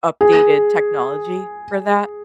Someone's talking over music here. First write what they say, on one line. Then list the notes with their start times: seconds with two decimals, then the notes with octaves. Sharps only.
updated technology for that.
0.21 G#4